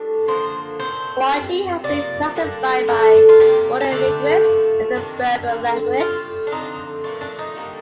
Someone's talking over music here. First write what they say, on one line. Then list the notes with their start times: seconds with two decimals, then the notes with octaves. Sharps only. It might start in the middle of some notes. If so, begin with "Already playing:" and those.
Guanche has been classified by modern linguists as a Berber language.
Already playing: A2 G3 D4
0.27 D3 F3 A#3 D4 C5
0.79 A#2 A3 C4 C5
1.32 A#2 G3 C4
1.84 C3 F3 A#3 D5
2.35 D3 G3 A#3 D4
2.88 D3 A3 D4 A4
3.29 F4
3.40 C3 G3 A#3 G4
3.80 A4
3.91 D3 A3 D4 G4
4.44 C3 F3 A3
4.96 C3 D#3 A#3 D4
5.48 D3 G3 C4
5.99 A2 G3 C4 F4
6.47 D4
6.51 D3 F3 C4 D#4
7.04 A#2 F3 A3 D4
7.21 D4
7.39 D#4
7.56 D3 G3 A#3